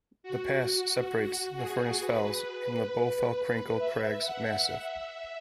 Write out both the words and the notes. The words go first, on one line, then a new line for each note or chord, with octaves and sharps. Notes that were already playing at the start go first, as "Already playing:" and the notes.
The pass separates the Furness Fells from the Bowfell-Crinkle Crags massif.
F#4
G#4
B4
E5
F#5
E5